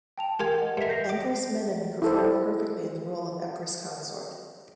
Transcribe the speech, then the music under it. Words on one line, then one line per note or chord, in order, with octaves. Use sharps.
Empress Menen performed perfectly in the role of Empress-consort.
G5 A5 F7
F4 G4 A#4 G#5
D#5 F#5
G2 A#4 E5 B6
G6 A#6 C7
D6
E4 A4 C5